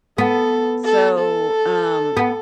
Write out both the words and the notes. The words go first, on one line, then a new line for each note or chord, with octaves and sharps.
So, um,
B3 A4
A4
A4
B3